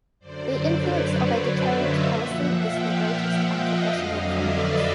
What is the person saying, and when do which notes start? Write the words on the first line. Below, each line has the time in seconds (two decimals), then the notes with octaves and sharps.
The influence of a deterrent policy is the greatest on professional criminals.
0.20 F#2 D3 F#3 C5 D5
0.66 B4 C#5
1.12 C5 D5
1.43 D5 E5
1.74 D#5 F5
2.04 A#2 F3 E5 F#5
2.50 F5 G5
2.97 E5 F#5
3.42 D#5 F5
3.89 F2 D3 F#3 D#5 F5
4.20 D5 E5
4.51 A4 B4